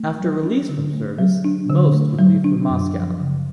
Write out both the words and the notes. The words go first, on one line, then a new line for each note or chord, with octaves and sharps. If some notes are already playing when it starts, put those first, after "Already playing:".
After release from service, most would leave for Moscow.
Already playing: A3
F#3
D4
D3
A3
F#3
D4
D3
A3
F#3
D4
F#2
F3
C#3